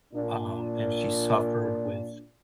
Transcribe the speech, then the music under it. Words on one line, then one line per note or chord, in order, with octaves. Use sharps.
um, and she suffered with
A#2 D4